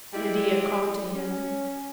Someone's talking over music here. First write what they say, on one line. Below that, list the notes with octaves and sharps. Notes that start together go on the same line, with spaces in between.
Medea called to him.
G3 G#3 E4
C#4